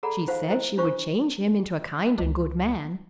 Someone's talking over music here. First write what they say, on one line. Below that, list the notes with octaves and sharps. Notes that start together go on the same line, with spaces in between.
"She said she would change him into a kind and good man."
G#4 A4 D5 F#5 A#5 B5
D#4 F4 C5 F5 F#5
E4 C5
D4 F4 C5 C#6
C#2